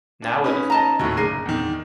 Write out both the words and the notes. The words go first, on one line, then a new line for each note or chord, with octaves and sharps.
Now it is moving.
D4
C#4 D#4 B4
D#5 A5 A#5
D#2 A2 E4 F#4
F#1 D4 G#4 A#4 C7 D#7
E2 D#3